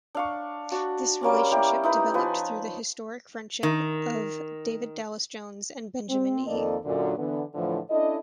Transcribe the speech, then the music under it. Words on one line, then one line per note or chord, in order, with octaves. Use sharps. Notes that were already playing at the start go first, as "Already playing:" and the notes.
This relationship developed through the historic friendship of David Dallas Jones and Benjamin E.
D4 F5 C#6
D4 F#4
G3 A#3 C#4 D6
G3 A#3 E4 G4
D#4 E4 B4
F3 B4 G#5
D#3
C4
F2 D#3 A#3 A4 D5 D#5
F#2 A#2 D3
D3 E3 B3
A2 D3 E3 F3
C#4 D4 E4 A4 D#5